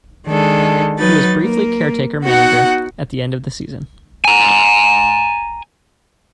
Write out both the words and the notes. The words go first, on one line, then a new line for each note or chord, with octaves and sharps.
He was briefly caretaker manager at the end of the season.
D#3 G#3 D4 A4
F#3 D#4 B4 A6
A#3 A#4
B3 D#4 F#4 F#5
G#5 A#5